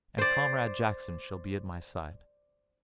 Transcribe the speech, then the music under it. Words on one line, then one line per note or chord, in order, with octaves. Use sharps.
And Comrade Jackson shall be at my side.'
C5 D5